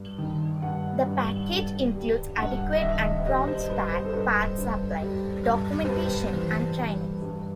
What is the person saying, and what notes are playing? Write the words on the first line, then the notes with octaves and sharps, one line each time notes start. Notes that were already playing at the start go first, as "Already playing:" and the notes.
The package includes adequate and prompt spare parts supply, documentation and training.
Already playing: G2
D#3
G2 F#5
G2
G2
G3
G2 F#5
D#5
D#3 E5
G3 D#5
C5
G2 B4
C5
A4
G2 B4
G2
G3
G2
C5
G3 B4
E3
G2
G2